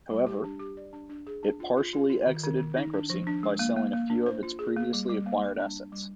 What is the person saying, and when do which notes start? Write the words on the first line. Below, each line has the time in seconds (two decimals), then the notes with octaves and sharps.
However, it partially exited bankruptcy by selling few of its previously acquired assets.
0.11 G3
0.27 G4
0.44 D4
0.59 G4
0.77 D5
0.93 D4
1.10 D4
1.27 G#4
1.43 D4
1.60 F4
1.77 F4
1.93 F4
2.10 F4
2.26 D#3
2.44 D#3
2.60 D#3
2.77 D#4
2.93 D4
3.10 F3
3.27 D4
3.43 G#3
3.59 A#3
3.77 A#3
3.93 A#3
4.10 D4
4.26 C5
4.43 F4
4.59 G#4
4.76 A#3
4.93 G3
5.09 G3
5.26 A#3
5.43 G3
5.59 D4
5.76 D4
5.92 G3